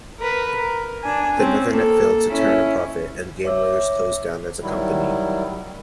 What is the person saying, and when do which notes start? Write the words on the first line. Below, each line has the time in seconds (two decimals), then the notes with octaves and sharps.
The Nethernet failed to turn a profit, and GameLayers closed down as a company.
0.19 A#4 B4
0.56 A#4
1.03 D4 G#5
1.38 C4 C#4
1.70 A#3 A4
2.29 C#4 E4
3.45 C#5 E5 D6 E6
4.62 D#3 F#3 G3 E4